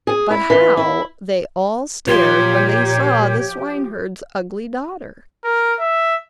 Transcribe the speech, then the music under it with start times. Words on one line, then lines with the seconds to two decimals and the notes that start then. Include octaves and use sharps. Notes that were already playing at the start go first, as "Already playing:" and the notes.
But how they all stared when they saw the swineherd's ugly daughter!
0.07 G#4
0.31 E4
0.50 E3
0.77 E4
2.07 A#2 F3 G4 C#5 C6
5.44 A#4
5.79 E5